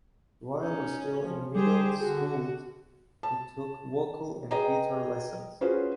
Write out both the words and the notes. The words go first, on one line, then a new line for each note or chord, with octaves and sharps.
While still in middle school, he took vocal and guitar lessons.
C#4 D#4
F3
G3 G4 G#4 C5
D3 F#4 G#4
A5
G#4 B4 D#5 G5 A#5
C#4 F4 F#4 G#4 B4 C5